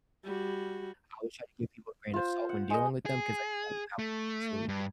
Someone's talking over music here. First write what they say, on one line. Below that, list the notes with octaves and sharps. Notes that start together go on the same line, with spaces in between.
I always try to give people a grain of salt when dealing with them 'cause I know how people can truly be.
G3 F#4
F4 C5
F#5
G#3 D#5
G#4
A3
G2